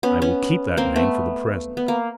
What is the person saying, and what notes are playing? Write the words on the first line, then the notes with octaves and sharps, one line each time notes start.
I will keep that name for the present.
B3 C#4
B3 C#4
A#3 C4
A3 B3
B3
A#3